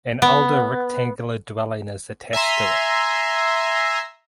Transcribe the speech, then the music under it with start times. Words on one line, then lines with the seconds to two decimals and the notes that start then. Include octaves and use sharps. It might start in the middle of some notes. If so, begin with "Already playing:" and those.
An older rectangular dwelling is attached to it.
0.22 B3
2.33 E5 G#5 A#5 C6